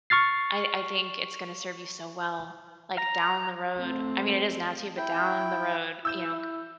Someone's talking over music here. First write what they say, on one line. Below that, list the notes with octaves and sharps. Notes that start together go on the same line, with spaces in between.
I I think it's gonna serve you so well, like, down the road, I mean it is now, too, but down the road, you know, g
C#6 F6 A6 C7
A#5
A3 C4
E4 G5
E4 E6 G6 E7